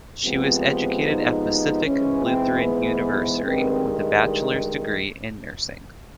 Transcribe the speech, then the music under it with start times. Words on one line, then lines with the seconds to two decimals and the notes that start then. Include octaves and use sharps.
She was educated at Pacific Lutheran University with a bachelor's degree in nursing.
0.24 C3 F3 G#3 B3 C4
1.04 D#4
1.85 G#2 E3 G#3 C#4
2.25 C4
2.64 B3
3.44 G2 D#3 G#3 B3 C4